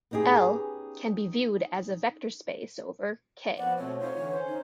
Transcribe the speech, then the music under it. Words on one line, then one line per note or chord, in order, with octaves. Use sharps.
"L" can be viewed as a vector space over "K".
B3 C#4 D#4 G4 G#4
F3 B3 D5 F#5
B2 A3 C4 C#5
D#4 F4 C5 C#5
D3 E3
C#4 C5
D#4